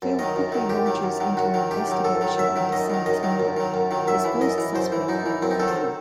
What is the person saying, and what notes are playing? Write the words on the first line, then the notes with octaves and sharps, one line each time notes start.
Phil quickly launches into an investigation into Sonny's murder, his first suspect being Jana.
F#2
D#3 F#3 D#5
F#2
D#3 F#3
F#2 G4
D#3 F#3
F#2
D#3 F#3
F#2 F#4
D#3 F#3
F#2 G4
D#3 F#3
F#2 A4
D#3 F#3
F#2 E5
D#3 F#3
F#2 D#5
D#3 F#3
F#2 D#5
D#3 F#3
F#2
D#3 F#3
F#2
D#3 F#3
F#2 E5
E3
F#2 D#5
E3
F#2 C5
E3
F#2 D#4
E3
F#2 C4
D#4
D#3 F#3 A4
C5